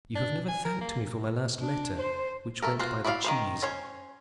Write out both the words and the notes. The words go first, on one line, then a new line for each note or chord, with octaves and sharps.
You have never thanked me for my last letter, which went by the cheese.
D4
G#5
A#4
A#3
D4
C5
A3 A4 A#4
F4 F#4 C5
E4 F#4 D5 E5 F5
D#3 F3 C5
C#4 C5 C#5